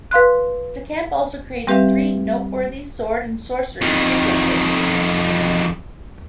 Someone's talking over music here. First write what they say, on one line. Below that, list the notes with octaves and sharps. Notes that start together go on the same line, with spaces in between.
De Camp also created three noteworthy sword and sorcery sequences.
B4 F5 C6 F#6
G3 C4 G4 B4 E5 F5
F2 D#3